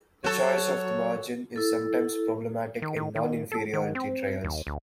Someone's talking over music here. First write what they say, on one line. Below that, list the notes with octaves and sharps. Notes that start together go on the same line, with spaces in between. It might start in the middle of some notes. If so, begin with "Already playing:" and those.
The choice of the margin is sometimes problematic in non-inferiority trials.
F#3 F#4 A4 C#5
E4 A4
D#3
D#3
D#3
A4
D#3
C4
D#2
D2